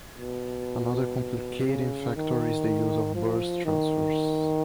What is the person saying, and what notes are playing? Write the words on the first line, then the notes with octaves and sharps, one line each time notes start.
Another complicating factor is the use of burst transfers.
B2
B2
C#3
D#3
F3
D#3